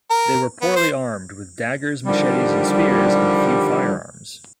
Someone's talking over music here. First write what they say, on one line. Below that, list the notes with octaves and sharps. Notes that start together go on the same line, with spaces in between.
They were poorly armed, with daggers, machetes, and spears and few firearms.
A#4
B3
C5
D3 D#3 F3 G3